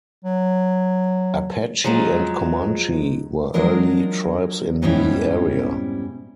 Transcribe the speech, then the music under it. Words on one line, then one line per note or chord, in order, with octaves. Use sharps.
Apache and Comanche were early tribes in the area.
F#3
F3 F#3 G#3
F3 F#3 G#3 D4 A#4
F2 G#2 B2 G3 C#4 E4